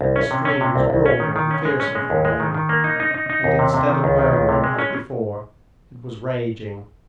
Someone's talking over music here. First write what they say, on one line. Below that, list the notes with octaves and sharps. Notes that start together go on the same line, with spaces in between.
The stream was broader and fiercer for the rain, and instead of murmuring as before, it was raging.
C2
C#4
C3
C#4
C3
C2
C2
C#4
D#3
D#3
C#4
G#3
C#4
G#3
D#2
G#3
D#3
D#3
A#3
D#4
D#4
D#4
D#4
D#2
C3
C3
D#3
C#2
D#3
C#2
C3
G#3
C#4